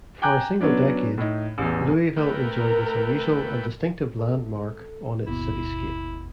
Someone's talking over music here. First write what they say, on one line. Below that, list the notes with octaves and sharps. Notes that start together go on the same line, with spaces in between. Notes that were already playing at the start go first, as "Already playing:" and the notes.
For a single decade Louisville enjoyed this unusual and distinctive landmark on its cityscape.
G5 G#5 A#5 D6 F#6 G6
F#3 B3 C#4 D4
A2 D#4
A1 E2
A3 A#4 B4 G5
A4
G1 D#2 B2 E4